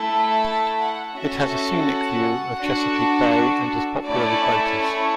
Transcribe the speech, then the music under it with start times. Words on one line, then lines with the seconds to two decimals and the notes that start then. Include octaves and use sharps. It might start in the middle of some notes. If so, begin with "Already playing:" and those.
It has a scenic view of Chesapeake Bay and is popular with boaters.
Already playing: A3 E4 A4
0.40 A5
0.77 F#5
1.13 C#4 F#4 A4 E5
1.86 F#5
2.59 D4 F#4 A4
4.06 A3 C#4 E4 A4 D5
4.79 C#5